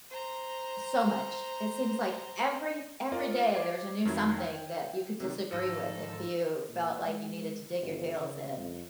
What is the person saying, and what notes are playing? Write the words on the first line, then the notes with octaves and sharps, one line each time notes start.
so much. It seems like every every day there's a new something that you could disagree with if you felt like you needed to dig your heels in,
C5 A#5
F4 A#4 D5 D#5
D6 G#6 A6 C7 D7
F2 D#3 F#3 E4 G#6
G5
C3 D#3
G#2 D#3 F3 A4 E6 A#6 D#7
A#2
G#3
G1
C#3
F2